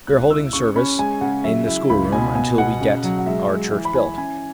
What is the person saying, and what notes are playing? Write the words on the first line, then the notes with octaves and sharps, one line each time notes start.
We are holding service in the schoolroom until we get our church built.
C#2 F#6
E4 E6
C#3 C#6
C#4 B5
G#3 G#5
C#3 F#5
F#3 E5
E4
C#2 B5
B2 G#5
B3 G#5
B2 F#5
C#3
F#3
F#5
G#3 E5
G#3
E3
B5
E4 G#5
C#4 G#5